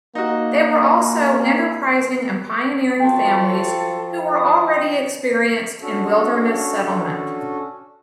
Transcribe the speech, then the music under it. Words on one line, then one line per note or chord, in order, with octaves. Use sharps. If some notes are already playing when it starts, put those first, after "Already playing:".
They were also enterprising and pioneering families who were already experienced in wilderness settlement.
A#3 D#4 F#4
F3 F4 F#4 A4 G5
D#6
C#4 D4 F#4 A4